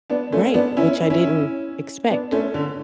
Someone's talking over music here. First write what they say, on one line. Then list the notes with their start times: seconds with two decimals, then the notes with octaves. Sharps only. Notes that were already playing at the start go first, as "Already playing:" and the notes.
Right, which I didn't expect.
0.10 B3 D4
0.32 A3 C#4
0.54 B3 D4
0.77 C#4 E4
1.10 C#4 E4
2.10 B3 D4
2.32 A3 C#4
2.54 D3